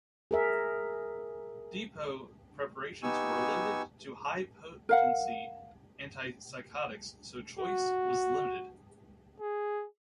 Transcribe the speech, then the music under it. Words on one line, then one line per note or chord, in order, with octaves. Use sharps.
Depot preparations were limited to high-potency antipsychotics so choice was limited.
G#4 A#4 E5
B3 D#4 G4 G#5 C#6 E6
A#4 F5 F#5
F#4
G#4